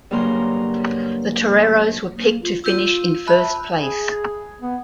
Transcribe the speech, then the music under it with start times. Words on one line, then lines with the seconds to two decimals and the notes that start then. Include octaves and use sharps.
The Toreros were picked to finish in first place.
0.11 G2 C#3 F#3 A#3 A#5 C6
2.15 A#3
2.42 F4
2.64 F4 E6 G6 D#7
3.27 E5 A5 B5 F#6
3.79 G#4
4.61 B3